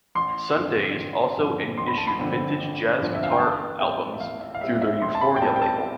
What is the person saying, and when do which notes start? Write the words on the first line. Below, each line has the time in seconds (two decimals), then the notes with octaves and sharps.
Sundazed also issued vintage jazz guitar albums through their Euphoria label.
0.15 A1 C6
0.56 G2 D3 F3 C4
0.97 A1
1.37 G2 D3 F3 C4
1.78 A1 C6
1.88 B5
1.98 A5
2.07 B5
2.18 G2 D3 F3 C4
2.59 A1
2.99 G2 D3 F3 C4
3.15 E5
3.23 F5
3.32 G5
3.39 A1 A5
3.80 A2 G3 C4 G5
4.14 E5
4.20 A1 F5
4.41 E5
4.55 F5
4.61 A2 G3 C4 E5
4.82 E5
5.02 A1 C6
5.15 A5
5.21 B5
5.36 G5
5.42 A2 G3 C4 A5
5.56 G5
5.62 A5